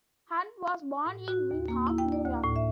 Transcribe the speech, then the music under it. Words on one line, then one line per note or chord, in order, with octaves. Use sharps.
Hunt was born in Windham, New York.
A2
F#4
D#2
A#3
E4
G5
D5
D2
A2
E5